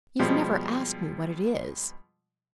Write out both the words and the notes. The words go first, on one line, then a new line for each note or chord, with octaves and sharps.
You've never asked me what it is.
B2 F3 G3 G#3